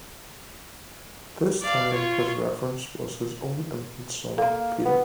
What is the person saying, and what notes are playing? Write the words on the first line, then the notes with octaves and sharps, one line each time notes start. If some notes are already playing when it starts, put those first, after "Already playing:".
This time his reference was his own infant son, Peter.
D5 F5
F4 C#5
A#3 A4 F5
B3